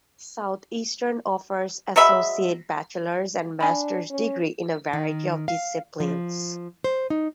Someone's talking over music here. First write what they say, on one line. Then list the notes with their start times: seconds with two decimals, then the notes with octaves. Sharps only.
Southeastern offers associate, bachelor's, and master's degree in a variety of disciplines.
1.96 F#3 G#3 E5 B5
3.61 D4 G#5 B5
4.10 C#4
4.93 D#3
5.48 F5
6.00 F3
6.84 C5
7.10 D#4